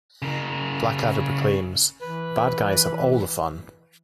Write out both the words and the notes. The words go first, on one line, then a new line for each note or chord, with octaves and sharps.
Blackadder proclaims, Bad guys have all the fun.
C#3 A#4
E3 B4